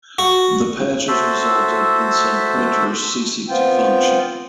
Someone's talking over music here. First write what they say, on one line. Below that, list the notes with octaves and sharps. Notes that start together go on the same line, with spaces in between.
The patches resulted in some printers ceasing to function.
F#4
F#4 A4 C5 E5
B3 C4 F4 G5